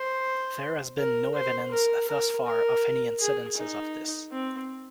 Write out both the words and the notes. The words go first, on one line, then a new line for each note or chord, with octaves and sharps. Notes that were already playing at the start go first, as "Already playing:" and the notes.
There has been no evidence thus far of any incidences of this.
Already playing: C5
A#4
C5
A#4
A#4
A#4
G#4
D#4
C4